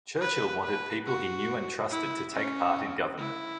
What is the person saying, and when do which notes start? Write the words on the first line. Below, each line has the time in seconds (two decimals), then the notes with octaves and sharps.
Churchill wanted people he knew and trusted to take part in government.
0.21 B4
0.64 B4
1.06 F#4
1.91 E4
2.33 C#4
3.18 E4